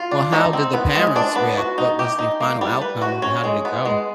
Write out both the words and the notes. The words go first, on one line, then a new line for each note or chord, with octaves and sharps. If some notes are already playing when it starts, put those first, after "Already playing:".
Well, how did the parents react, what was the final outcome, how did it go?
Already playing: F4
D4
D#4
C4
B3
G#3
D4
B3
F#4
D#4
G4
D#4
A#3
G3
B4
F#4
C#4
G#3
B3
G#3